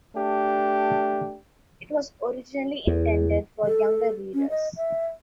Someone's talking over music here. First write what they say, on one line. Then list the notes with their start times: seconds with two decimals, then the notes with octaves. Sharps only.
It was originally intended for younger readers.
0.16 A3 D4 G4
2.87 E2
3.65 A4
4.34 C#4
4.50 D#5
4.77 E5